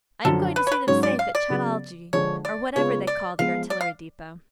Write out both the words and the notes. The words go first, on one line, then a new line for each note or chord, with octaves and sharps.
I am going to see them safe at Chataldja, or whatever they call the artillery depot.'
F#2 D3 F3 A4
B4
C#5
B4
G#2 F#3 C#4 G#4 C#5
D5
F5
D5
C#3 F#3 B3
D3 F3 G#3 D4 G#4 C#5
D5
C#3 G#3 B3 F4 B4 C#5
D5
F3 G#3 B3 F5
D5
F5